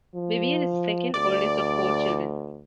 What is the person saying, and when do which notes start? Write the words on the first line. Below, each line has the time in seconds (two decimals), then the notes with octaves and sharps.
Vivien is the second oldest of four children.
0.15 F3
1.14 D2 D5